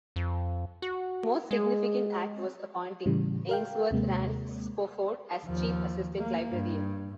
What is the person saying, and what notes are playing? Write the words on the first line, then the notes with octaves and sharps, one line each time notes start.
His most significant act was appointing Ainsworth Rand Spofford as Chief Assistant Librarian.
F2
F#4
G#3 G#4
C4
A2 C#3 E3 G3
A#4 F5 G5
D#2 C3 G#3 A#3
D#2 F3
A#3
G2